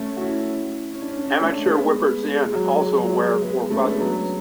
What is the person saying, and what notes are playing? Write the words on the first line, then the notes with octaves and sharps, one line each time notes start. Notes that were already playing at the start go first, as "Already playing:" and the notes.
Amateur whippers-in also wear four buttons.
Already playing: A3 C#4
F#4
C#4 E4
C#4
D4
C#4
D4
C#4
D4
A3 C#4
G#3 B3
G#3
G#3
F#3
G#3
G#3
F#3
G#3
G#3
G#3 B3
A3 C#4
B3 D4
G#3
F#3